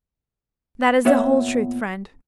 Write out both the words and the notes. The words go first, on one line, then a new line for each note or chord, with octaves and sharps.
That is the whole truth, friend.
A#2 B3 C#5 E5 F#5